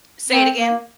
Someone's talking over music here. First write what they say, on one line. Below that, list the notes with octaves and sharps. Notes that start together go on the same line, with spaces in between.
Say it again?
C4
A#3